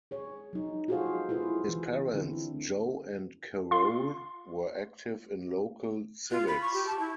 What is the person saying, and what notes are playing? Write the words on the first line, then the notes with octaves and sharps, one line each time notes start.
His parents, Joe and Carole, were active in local civics.
G#4 C#5
F#3 D#4
F4 F#4 G#4 A4 C5 F5
E4 F4 G#4 B4
E3
D3 C4 D4 E4
F4 C6
F4
B5
C#6
G4
A5
E4